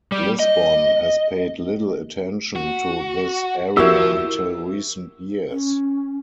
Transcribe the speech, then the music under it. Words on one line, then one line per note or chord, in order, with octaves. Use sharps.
Lisbon has paid little attention to this area until recent years.
G3
D#5
F#4
F3 E4 F#4 G4 A#4 E6
C#4